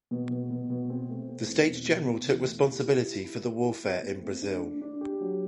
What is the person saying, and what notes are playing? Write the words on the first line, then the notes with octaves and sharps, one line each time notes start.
The States General took responsibility for the warfare in Brazil.
B2
B2
B2
B2
C4
A3
C4
E2
B2
B2
B2
E2
A3
G4
E4
E4
E4
E4
E4
C4
C4
A3
D4
D4
D4
G4
F#3